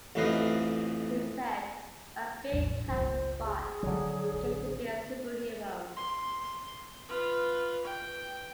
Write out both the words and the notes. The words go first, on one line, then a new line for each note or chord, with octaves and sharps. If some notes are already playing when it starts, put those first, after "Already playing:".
He said, about being cast as Bot, I get to be a superhero.
A1 F2 A2 B4 D#5 F5
A1 E2
G1 C#2 C5
G#4
D3 F3 F#3 C#4
A1
C6
F4 B4
G5